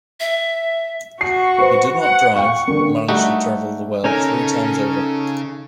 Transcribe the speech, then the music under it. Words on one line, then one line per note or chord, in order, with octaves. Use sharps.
He did not drive but managed to travel the world three times over.
E5
F#4 C#6 C7
B4 C5
F#5
F5 G5 C#6
D3 A#3
G3 A3 D#4 F#4
C#3 C#4 D#4 A4 A#4 G#5